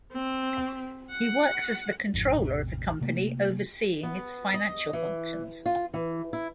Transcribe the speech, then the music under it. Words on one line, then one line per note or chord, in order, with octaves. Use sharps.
He works as the Controller of the company overseeing its financial functions.
C4
F#5
G#1 F2
A1 E2 C3
C3 A3 A#3
B3
D#5
E3
F4
E3
E4